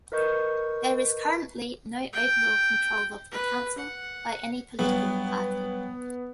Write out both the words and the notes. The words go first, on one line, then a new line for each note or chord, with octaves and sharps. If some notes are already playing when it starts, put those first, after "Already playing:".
There is currently no overall control of the council by any political party.
A#4 B4 D#5 C#6 G6
G5
B4
F#5
G2 F#3 B3